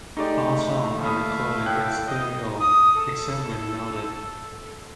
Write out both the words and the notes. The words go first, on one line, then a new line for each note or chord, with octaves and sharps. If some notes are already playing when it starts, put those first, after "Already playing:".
All songs are recorded in stereo, except where noted.
G#3 A3 D#4 G4 D5
D#1 A4 E5 F5 B5 D#6
A2 D3 G5 F#6
D#5
D#6
A4